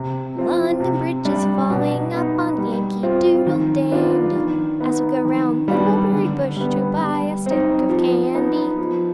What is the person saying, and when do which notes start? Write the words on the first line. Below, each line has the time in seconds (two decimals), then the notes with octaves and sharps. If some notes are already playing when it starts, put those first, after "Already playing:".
"London Bridge is falling up, On Yankee Doodle Dandy! As we go 'round the mulberry bush To buy a stick of candy."
Already playing: C3
0.36 F3 C4 F4
0.80 C3
1.25 G3 D4
1.70 B2
2.14 B3 D#4
2.58 G3
3.03 C4 F4
3.46 D#3
3.91 B3 D4 F4
4.36 D#3
4.80 B3 D#4
5.25 D#3
5.68 G3 B3 D4
6.12 D3
6.57 G3 B3
7.02 G3
7.46 C4 D#4
7.90 F3
8.34 B3 D#4
8.78 F3